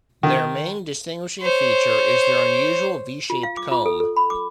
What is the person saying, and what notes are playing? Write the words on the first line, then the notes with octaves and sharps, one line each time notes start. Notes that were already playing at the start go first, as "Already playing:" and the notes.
Their main distinguishing feature is their unusual V-shaped comb.
D#3
C5 C#5
F4
F5
D6
F4
A4
A4
B5
D6